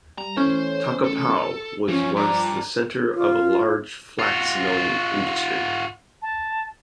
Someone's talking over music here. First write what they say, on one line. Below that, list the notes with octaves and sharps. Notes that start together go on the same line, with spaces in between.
Takapau was once the centre of a large flax milling industry.
G3 A#5
E3 A3 C#4 C5
A4
E3 F3 C#4 F4
G2 D4 A#5
F4
F4 F#4
A5